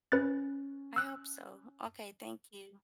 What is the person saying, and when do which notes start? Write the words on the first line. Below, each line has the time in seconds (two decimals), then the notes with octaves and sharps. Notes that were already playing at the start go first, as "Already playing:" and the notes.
I hope so. Okay, thank you.
0.12 C#4 B4 F#6 A6
0.96 E6 F#6